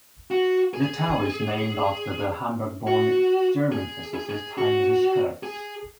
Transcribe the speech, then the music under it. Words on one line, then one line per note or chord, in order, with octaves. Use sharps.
The tower is named after the Hamburg-born German physicist Heinrich Hertz.
F#4
G#4
F#4
G#4
G#4
G#4
F#4
G#4